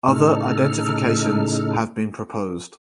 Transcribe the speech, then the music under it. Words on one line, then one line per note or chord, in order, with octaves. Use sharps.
Other identifications have been proposed.
A2 C#3 D#4 A4 F6